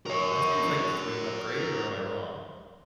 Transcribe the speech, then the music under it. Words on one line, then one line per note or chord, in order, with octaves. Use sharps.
That seems like a free upgrade, or am I wrong?
A#4 C#5